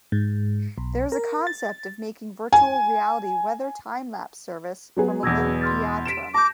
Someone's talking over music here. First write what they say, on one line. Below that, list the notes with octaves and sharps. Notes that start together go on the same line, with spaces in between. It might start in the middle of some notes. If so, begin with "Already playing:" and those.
There is a concept of making Virtual Reality weather timelapse service from Olympiaturm.
G#2
B1
A#4
A6
G#5
F#3 B3 G#4
E2 B2 E6 G#6 A#6
C6 F6 A6
B6 D7 E7
A5 D6 G6 A#6